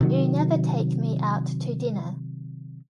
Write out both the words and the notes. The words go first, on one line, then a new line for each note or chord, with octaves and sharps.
You never take me out to dinner.
C3 D#3 F#3